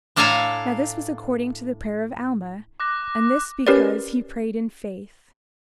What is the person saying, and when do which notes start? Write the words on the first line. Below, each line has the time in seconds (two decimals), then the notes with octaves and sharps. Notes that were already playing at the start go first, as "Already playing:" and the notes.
Now this was according to the prayer of Alma; and this because he prayed in faith.
0.16 A2 D4 A4 F5 G#5 A#5
2.80 D6 F#6 A#6
3.67 C#4 G4 A#4 B4 C#5 D5